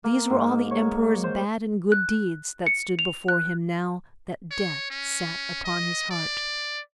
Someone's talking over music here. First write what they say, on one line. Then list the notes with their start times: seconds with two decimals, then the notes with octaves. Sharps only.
These were all the Emperor's bad and good deeds, that stood before him now that Death sat upon his heart.
0.04 A#3
0.30 G#2
0.71 C#5
1.24 C5
1.92 F#6
2.66 C#7
2.99 F7
3.28 F#6
4.51 C#5
4.91 C#4
5.64 D#5
6.11 D5